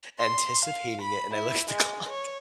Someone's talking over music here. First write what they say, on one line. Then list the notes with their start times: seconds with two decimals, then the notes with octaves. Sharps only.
anticipating it. And I look at the clock,
0.18 C6
0.64 F5
1.02 B5
1.34 E4
1.70 G#3
2.09 C#5